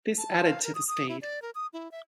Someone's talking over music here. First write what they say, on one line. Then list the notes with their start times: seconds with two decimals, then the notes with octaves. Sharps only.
This added to the speed.
0.18 A5
0.44 F5
0.64 A#4
0.75 D#6
0.88 D#6
1.09 E4
1.22 D5
1.42 A#4
1.55 D#6
1.73 E4
1.92 E5